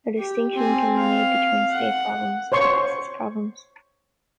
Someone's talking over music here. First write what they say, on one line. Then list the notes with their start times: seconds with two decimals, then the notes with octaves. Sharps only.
A distinction can be made between state problems and process problems.
0.18 G4
0.55 C4 G#5
0.97 F5
1.72 F#5
2.52 C5 C#5 C6 C#6